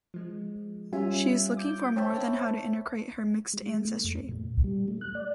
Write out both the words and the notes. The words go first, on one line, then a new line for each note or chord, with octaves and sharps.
She is looking for more than how to integrate her mixed ancestry.
F3 G#3
G3 C#4 F4 E5 G#5
D6 G6
C5 C#5 E5 G5 A5 B5
G#3
A3
F2
A#2
G3
A3
F#6
D5